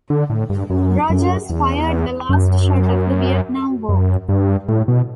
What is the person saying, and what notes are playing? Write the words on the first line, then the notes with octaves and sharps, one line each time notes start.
"Rogers" fired the last shot of the Vietnam War.
D3
A2
G2
F#2
F#2
E2
F#2
F#2
G2
A2
B2